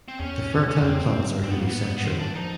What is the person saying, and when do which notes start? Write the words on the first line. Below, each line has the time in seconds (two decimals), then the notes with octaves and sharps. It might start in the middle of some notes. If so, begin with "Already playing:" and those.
The fertile plants are unisexual.
0.08 C4
0.19 E2 C#4
0.69 C#4
0.81 F2 C4
1.12 G#2
1.43 G2 C4
1.51 G#2 B3
1.59 A#3
1.63 A2 B3
1.98 B3
2.04 D#3 C4
2.20 D4
2.35 F3 D#4